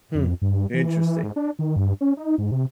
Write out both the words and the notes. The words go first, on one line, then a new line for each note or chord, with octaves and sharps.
Hmm. Interesting.
F2
G2
E3
E3
G#2
D4
D#3
G2
C#4
D#4
G#2
C3